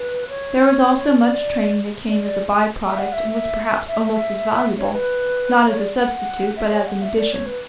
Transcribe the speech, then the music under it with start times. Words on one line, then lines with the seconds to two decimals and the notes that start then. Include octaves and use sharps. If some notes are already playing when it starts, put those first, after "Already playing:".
There was also much training that came as a by-product and was perhaps almost as valuable--not as a substitute but as an addition.
Already playing: B4
0.29 C#5
0.59 C#5
1.19 D5
2.08 D5
2.23 D5
2.86 E5
2.98 F#5
3.13 E5
3.88 E5
4.03 E5
4.78 C#5
4.93 B4
5.67 C#5
5.77 D5
5.98 F#5
6.57 E5
6.72 C#5
6.87 F#5
7.02 E5
7.17 D5
7.32 C#5
7.46 B4